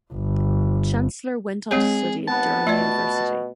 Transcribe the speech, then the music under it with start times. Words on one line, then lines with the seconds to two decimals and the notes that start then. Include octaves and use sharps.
Chancellor went on to study at Durham University.
0.13 G1
1.71 G#3 C4 G#4 C#5
2.28 D#2 B3 A5
2.67 B2 A3 F4 D5